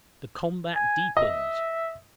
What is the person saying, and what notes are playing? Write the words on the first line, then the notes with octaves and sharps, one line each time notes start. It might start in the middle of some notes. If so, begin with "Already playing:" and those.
The combat deepens.
G#5
D#5 E5